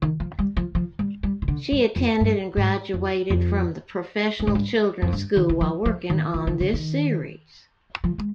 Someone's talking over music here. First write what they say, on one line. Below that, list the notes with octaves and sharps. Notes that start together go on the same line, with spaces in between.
She attended and graduated from the Professional Children's School while working on this series.
D#3
F3
G3
F3
F3
G3
G3
D#3
D3
G2
F2
G2
G#2
F2
F2
G2
G#2
G2
F2
G2
D#3
D#3
F3
F3
D#3
F3
D#3
D3
D#3
F3
G#3